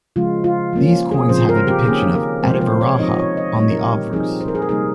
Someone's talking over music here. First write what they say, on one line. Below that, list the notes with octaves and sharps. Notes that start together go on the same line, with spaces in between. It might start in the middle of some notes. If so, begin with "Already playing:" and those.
These coins have a depiction of "Adivaraha" on the obverse.
C#3 F3 G#3 F4
F4
F3 A#3 C#4
G#4
C#3 F3 C4 C5
A#4
G4
D#3 A#3 C#4 G#4
A#4
C3 F3 G#3 C4 C5
C5
C#5
F3 C4 D#4 D#5
C#5
D#5
A#2 G3 A#3 D#4 C#5
A#4
G4
F3 C4 D#4 G#4
C5
A#4
G#4
A#4
C3 G3 A#3 D#4 G#4